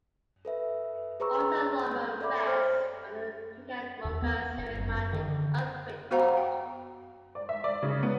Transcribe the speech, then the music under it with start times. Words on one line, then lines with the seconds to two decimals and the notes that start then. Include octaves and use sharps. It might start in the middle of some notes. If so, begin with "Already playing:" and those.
Alta Loma rests on the Cucamonga-Sierra Madre earthquake fault.
0.45 A4 B4 E5
1.20 G#4 B4 C#5 A#5 C#6 E6
1.84 G6
2.21 A4 C#5 D5 E5 B5 D6
2.47 C5 F6
4.05 D#2
4.22 B3
4.58 G1
4.80 F#2
5.13 D#3
5.28 D3
6.11 B3 F#4 C5 F5 F#5 A#5
6.37 G5
7.35 D5
7.49 E5
7.64 D5
7.83 C#3
8.03 B3